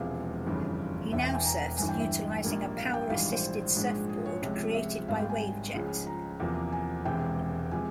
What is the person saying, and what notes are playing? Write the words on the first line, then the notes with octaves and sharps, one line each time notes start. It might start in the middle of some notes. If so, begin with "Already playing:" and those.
He now surfs utilizing a power assisted surfboard created by Wavejet.
Already playing: E1 E2 C3 F3 G#3 F5
G1 F2 C#3 E3 G3
E1 E2 E3 E5
G5
G#5
A#5
G1 G2 E3 G#5
G5
E5
A#1 G#2 G3 A#3
F5
G5
A#1 G#2 E3 G3 F5
C5
A#1 G#2 F3 G#3
G#4
C#5
C#2 C3 F3 G#3
E5
G#1 G#2 G3 F5
G5
G#5
C#2 C#3 F3 G#3
A#5
E2 C3 F3 A#3
G#5
E1 E2 C3 E3 G#3 G5
C3 F3 G#3 G#5